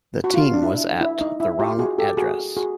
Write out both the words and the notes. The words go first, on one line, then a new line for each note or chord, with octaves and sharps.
The team was at the wrong address.
F#4
F4
D4
E4
E4
D#4
E4
F4 G4
F#4 G#4
G4 A4
F#4 G#4
F#4 G#4